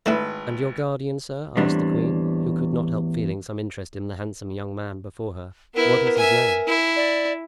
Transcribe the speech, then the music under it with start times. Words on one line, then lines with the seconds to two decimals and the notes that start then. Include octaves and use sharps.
"And your guardian, sir," asked the queen, who could not help feeling some interest in the handsome young man before her, "what is his name?"
0.06 G#1 A3 D4 E4 B4
1.57 E2 A2 G3 C4 D4
5.75 B3 E4 A#4
6.17 E5 G#5
6.68 E4
6.96 D5